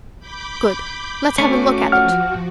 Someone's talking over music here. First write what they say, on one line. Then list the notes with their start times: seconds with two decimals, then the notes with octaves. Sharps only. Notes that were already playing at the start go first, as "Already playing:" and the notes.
"Good; let's have a look at it."
0.19 B5 D6 G6
1.38 A3 C#4 F#4 D6
1.92 F3 F#4 F#5 F6